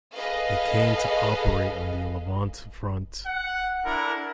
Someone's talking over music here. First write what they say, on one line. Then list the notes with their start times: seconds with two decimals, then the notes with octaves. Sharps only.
It came to operate on the Levante front.
0.15 G#4 A4 B4 D#5 F5
3.27 F#5
3.84 D4 E4 A4 A#4